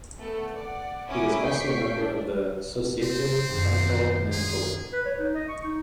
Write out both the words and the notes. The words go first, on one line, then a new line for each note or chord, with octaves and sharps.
He was also a member of the Societe Franco-Manitobaine.
A3 B3 A4
D5 F#5
C#4 E4 A#4 D6 D#6
C#6 G6 B6 C7 D7
D4
C4 C5
D#1 F#2
B4
G#4
B4
C#5
D#4
D#5
C#6
D#4